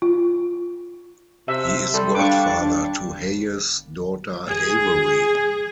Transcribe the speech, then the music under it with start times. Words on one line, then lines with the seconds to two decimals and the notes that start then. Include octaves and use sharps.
He is godfather to Hayes' daughter, Avery.
0.02 F4
1.48 C3 E5
1.94 G3 A4 C6
2.15 D4 F5 G5 C#6 D6 F#6
4.47 G#4